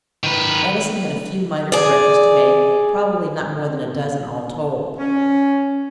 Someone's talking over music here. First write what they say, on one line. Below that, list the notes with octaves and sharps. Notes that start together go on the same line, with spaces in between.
Edison had a few minor corrections to make, probably not more than a dozen all told.
D#3 B4
G#4 D5
C#4